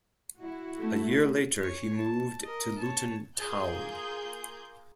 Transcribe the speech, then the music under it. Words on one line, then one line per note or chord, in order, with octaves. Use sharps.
A year later he moved to Luton Town.
E4 F#4
A3
C#5 G#5
A5
A#4 D#5
C#5 A5
A#3 F4 G#4 G6